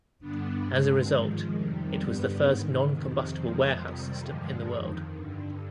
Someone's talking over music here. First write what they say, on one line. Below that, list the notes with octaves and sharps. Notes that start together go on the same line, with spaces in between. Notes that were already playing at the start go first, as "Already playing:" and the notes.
As a result, it was the first non-combustible warehouse system in the world.
G2 D3 B3 D4
G2 D3 G#3 C4
G#2 D#3 F3 G#3
F2 C3 D#3 G3
G2 D3 G3 B3
G#2 D#3
F2 C3 D#3
F2 D#3 F3 G#3
F2 C3 D#3 G3
G2 D3 F3 G#3
F2 D#3
G2 D3